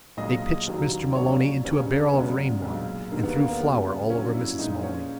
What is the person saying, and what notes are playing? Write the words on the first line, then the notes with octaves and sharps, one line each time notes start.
They pitched Mr. Maloney into a barrel of rain water and threw flour all over Mrs. Maloney.
B1 A#2 G#3 D#5
E1 D#2 D#3 F#3
A#1 A#2 F#3 C#5
E1 D#2 C#3 C#4
C#4
G#1 F#2 C#3 G#3 B3
B1 A#2 G#3
E1 D#2 D#3 G#3 A#3
B3
A#3
B3
D#2 C#3 F#3 A#3
B3
A#1 A#2 F#3 C#4
E4
A#1 A#2 G#3 D#4
C#4